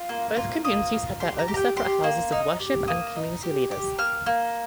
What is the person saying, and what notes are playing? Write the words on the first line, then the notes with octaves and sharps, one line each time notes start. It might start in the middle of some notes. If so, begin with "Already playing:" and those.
Both communities had their own separate houses of worship and community leaders.
Already playing: F4
A#3
F4
A#3 D#6
F4
G4 C6
A#5
G4
A#5
G5
G4 C6
A#3
D#4
G4
A#3 D#6
D#4
G4
G4
A#3 F6
A#3